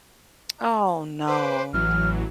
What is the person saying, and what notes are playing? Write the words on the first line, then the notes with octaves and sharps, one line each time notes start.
Oh, no.
B4 C5 D6
A1 E3 F#3 F6